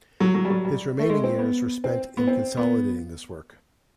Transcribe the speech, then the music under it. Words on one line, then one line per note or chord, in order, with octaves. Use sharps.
His remaining years were spent in consolidating this work.
F#3
F#3
G3
F#3
G3
A3
G#3
C4
B3
C4
B3
C4
B3